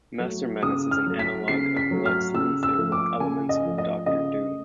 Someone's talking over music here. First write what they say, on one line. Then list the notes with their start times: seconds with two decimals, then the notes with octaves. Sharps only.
Master Menace is an analogue of Lex Luthor with elements of Doctor Doom.
0.19 F#3 A3
0.63 C#3 D#6
0.91 F6
1.06 F#3 A3
1.19 B6
1.48 C#3 C7
1.77 B6
1.91 F#3 A3
2.06 F6
2.34 C#3 E6
2.63 E6
2.77 F3 A3
2.92 D6
3.20 C#3 G#5
3.49 D#5
3.64 F3 A3
3.78 D#5
4.06 C#3 D#5
4.49 A3